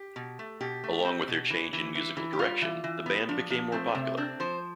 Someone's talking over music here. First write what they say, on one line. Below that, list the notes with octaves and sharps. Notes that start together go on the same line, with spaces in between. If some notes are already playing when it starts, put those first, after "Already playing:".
Along with their change in musical direction, the band became more popular.
Already playing: G4
B2
A3
B2 G4
A3
C4
B2
E3
E3
E3
E3
G4
G3 F4
E3
E3
B3
F3 D4
F3
A3 C4
C3
C4 D4
F3 C5